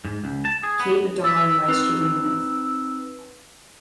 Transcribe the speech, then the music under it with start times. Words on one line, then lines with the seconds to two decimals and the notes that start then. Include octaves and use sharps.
Cape Adare lies to the north.
0.05 G#2
0.24 C#2
0.45 A5
0.63 G#4
0.80 B3
1.24 E6 A6 B6
1.68 C4 D#4 B4